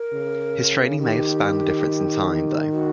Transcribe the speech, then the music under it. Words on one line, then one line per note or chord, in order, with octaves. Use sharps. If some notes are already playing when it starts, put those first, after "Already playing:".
His training may have spanned the difference in time, though.
Already playing: A#4
C#3
D#3 G4
F#4